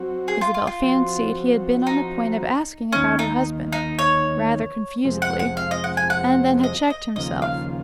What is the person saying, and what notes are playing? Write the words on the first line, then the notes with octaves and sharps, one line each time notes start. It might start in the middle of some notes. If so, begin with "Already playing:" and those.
Isabel fancied he had been on the point of asking about her husband--rather confusedly--and then had checked himself.
Already playing: F#3 C4 F#4
G#4
F4
F4
F4
F3 C4 F#4
D#4
D#2 D#3 A#3 C#4
D#4
D#4
C#5
F2 C3 F3 G#3 C4
F#5
F#5
F5
D#5
F#5
G#5
F#5
D#5
D#5
D#2 C#3 F3 A#3 F4 D#5
F5